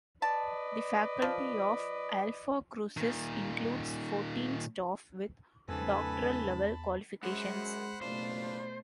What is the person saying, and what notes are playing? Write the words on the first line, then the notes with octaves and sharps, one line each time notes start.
The faculty of Alphacrucis includes fourteen staff with doctoral level qualifications.
B4 D5 D#5 A5
F3
A#2 D#3
E2 G#2 C#3 A4 B4 G#5 A5 B5
F#2 G#3 C5 F#5 B5
F#1 B2 A3 D4 F4 B4 C5